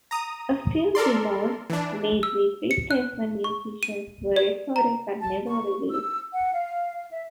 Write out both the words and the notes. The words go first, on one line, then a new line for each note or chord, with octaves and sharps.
A few demos made with replacement musicians were recorded but never released.
A#5 D#6
A4 A#4 D5 C6
E3 D4
E6
C#7
F#6
C#6
D#7
D5
A#5
A5
C#6
E6
F#5
F5
E5